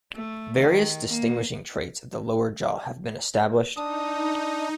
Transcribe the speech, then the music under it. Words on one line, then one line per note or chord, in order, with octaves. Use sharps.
Various distinguishing traits of the lower jaw have been established.
A3
D#3
A#3
D4 D#4 D#6